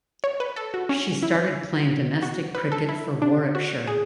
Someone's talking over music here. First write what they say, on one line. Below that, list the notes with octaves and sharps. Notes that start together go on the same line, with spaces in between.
She started playing domestic cricket for Warwickshire.
C#5
B4
A4
F#4
C#4
E4
F#4
B4
A4
E4
D4
F#4
G#4